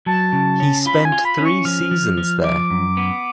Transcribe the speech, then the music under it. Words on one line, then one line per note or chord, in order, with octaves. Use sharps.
He spent three seasons there.
F#3 A5
C#3
C#4
F4 B5
G#5
F4
B5
C#4
C#6
F3 F6
F3
F3
F3 D6
F#2
B3